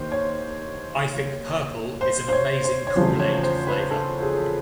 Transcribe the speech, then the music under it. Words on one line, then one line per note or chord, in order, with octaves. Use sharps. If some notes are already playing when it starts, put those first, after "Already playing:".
I think purple is an amazing kool-aid flavor.
Already playing: D#2 D#3 A#3 C5
C#5
C5
C5
C#5
C5
C#5
E2 C#3 F3 A3 C5
C#5
C5
B4
A4
G#4